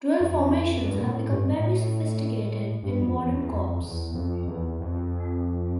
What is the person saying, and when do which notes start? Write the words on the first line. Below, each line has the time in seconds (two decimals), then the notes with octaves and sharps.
Drill formations have become very sophisticated in modern corps.
0.20 F2
0.81 F2
0.86 G2
0.99 A#2
1.08 A2
1.30 G2
1.52 A2
2.83 G2
3.00 F2
3.16 E2
3.33 E2
3.48 F2
3.81 E2
4.14 F2
4.47 E2
4.81 F2